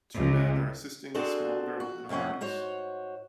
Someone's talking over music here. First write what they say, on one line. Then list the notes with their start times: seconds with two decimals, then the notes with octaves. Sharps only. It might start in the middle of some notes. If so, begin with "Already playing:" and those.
Two men are assisting a small girl in a harness.
0.16 C#2
1.14 C4 D4 F#4 G#4 A4 C5
1.80 F#4
2.09 F2 C3 A#3 C#4 F#5
2.41 G#2 F#4 C5 C#5